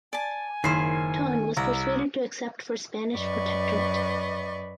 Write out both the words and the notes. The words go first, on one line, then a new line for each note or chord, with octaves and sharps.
Ton was persuaded to accept for Spanish protectorate.
D5 G#5 A5
F#1 D#3 E4 C5 C7
C2 A#5 E6
F#2 B4 D5 D#5 C#6